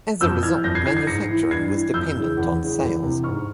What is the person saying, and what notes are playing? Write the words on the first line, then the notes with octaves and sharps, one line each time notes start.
As a result, manufacturing was dependent on sales.
F2 E6 G6
E3 F6 G#6
F2 G6 A#6
G#6 C7
E3 G#6 C7
G#6 C7
G#2 A#6 C#7
E3
G2 G#6 C7
E3
F2 E6 G6
C#3 E3
E2
C#3 E3
E2
C3 E3
G#2 C#6 F6